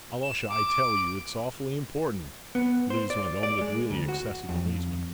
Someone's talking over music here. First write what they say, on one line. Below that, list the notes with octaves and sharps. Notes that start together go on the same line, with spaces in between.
"Alyosha, I tell you, it's awfully important," Lise went on, with really excessive amazement.
E7
D6
B3
C5
D5
D5
G#3
D2
F#4
F2